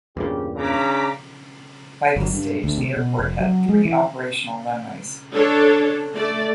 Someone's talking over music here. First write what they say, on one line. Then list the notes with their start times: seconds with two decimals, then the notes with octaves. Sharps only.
By this stage, the airport had three operational runways.
0.17 E2 G2 A#2 C#3 G4
0.55 C#3 D4 A#5 D6 B6
2.16 G1
2.33 G2
2.64 D2
2.78 C3
2.97 B2
3.19 F1
3.40 F#3
3.69 G#3
3.85 E3
5.33 D4 A4 C#5
6.13 A3 D5